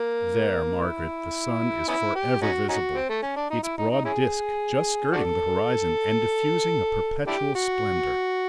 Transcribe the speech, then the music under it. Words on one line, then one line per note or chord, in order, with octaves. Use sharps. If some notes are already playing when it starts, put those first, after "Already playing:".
There, Margaret, the sun is forever visible, its broad disk just skirting the horizon and diffusing a perpetual splendour.
Already playing: A#3
E4
B3 C#4 E4
G4
C#4 D#4 F#4
C#4 D#4 F#4
C4
A3
C#4
D4
D#4
E4
D#4
D#4
C#4 E4 G#4
D4 F#4 A4
D4 E4 G4
F#4